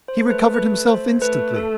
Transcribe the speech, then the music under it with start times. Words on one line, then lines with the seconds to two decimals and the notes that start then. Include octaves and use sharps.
He recovered himself instantly.
0.08 C5
0.19 A3
0.31 B4
0.54 B4
0.88 C5
1.21 A3 B4
1.56 A4